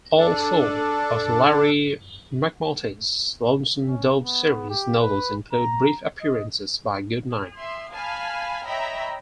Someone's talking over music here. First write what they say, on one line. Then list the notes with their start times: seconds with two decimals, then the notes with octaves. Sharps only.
All four of Larry McMurtry's Lonesome Dove series novels include brief appearances by Goodnight.
0.18 D4 A4
3.87 C#4
4.24 B3
4.69 G4
4.99 B4
5.53 A#5
6.21 D#5
7.57 E5 C6
7.92 F5 G#5 A5 B5 F6
8.65 C#5 D#5 E5 G5 A#5 B5